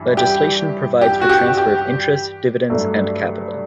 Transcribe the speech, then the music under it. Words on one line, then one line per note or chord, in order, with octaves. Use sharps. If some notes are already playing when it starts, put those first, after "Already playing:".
Legislation provides for transfer of interest, dividends, and capital.
Already playing: G2 E3 G3
G4
G4
F#4
G4
G4
G2 F#3 A3